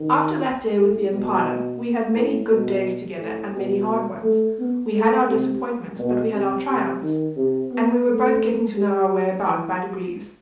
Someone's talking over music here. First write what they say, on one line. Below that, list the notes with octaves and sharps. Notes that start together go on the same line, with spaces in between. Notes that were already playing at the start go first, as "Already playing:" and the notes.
After that day with the impala we had many good days together and many hard ones: we had our disappointments, but we had our triumphs; and we were both getting to know our way about by degrees.
Already playing: D#3
A2
B2
A2
B2
A2
B2
A3
B3
A3
C3
B2
C3
C3
D#3
C3
B3
A3
G3
E3